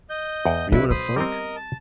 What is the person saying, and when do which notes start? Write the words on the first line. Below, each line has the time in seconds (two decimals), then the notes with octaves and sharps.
Were you in a funk?
0.10 D#5 G6
0.45 E2 F#5 G5
0.72 B1 D4 E4 B4
0.90 B3 C5 B5 D#6
1.16 G3 C4 A#4 D#5
1.56 A5